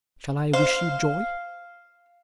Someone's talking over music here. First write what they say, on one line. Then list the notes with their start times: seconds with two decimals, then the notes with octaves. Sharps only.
"Shall I wish you joy?"
0.53 C5 F5